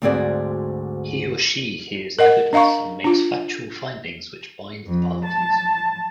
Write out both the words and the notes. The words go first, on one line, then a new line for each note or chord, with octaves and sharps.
He or she hears evidence and makes factual findings which bind the parties.
D2 G#2 C4 F#4 G#4 D5
A#4 D#5 F#5
D4 D#5 F5 A#5 C#6
D4 F4
F2
A5